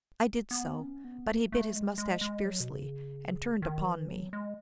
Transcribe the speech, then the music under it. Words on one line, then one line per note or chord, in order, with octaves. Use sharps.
I did so, but he bit his moustache fiercely, and turned upon me.
B3
C#4
B3
A3
A3
G#3
G#3
G#3
F#3
B2
C#3
D#3
E3
F#3
G#3